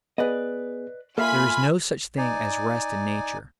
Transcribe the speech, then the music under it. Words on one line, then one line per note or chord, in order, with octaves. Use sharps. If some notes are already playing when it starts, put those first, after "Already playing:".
There is no such thing as rest in nature.
B3 G#4 B4 D5 D#5
A#3 F4 A4 E5 F5 G#5 B5
D#4 D5 G#5